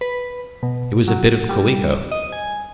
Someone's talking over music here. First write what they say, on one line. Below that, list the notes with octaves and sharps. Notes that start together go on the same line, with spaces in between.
It was a bit of calico....
B4
B2
F#3
G3
D#5
G#5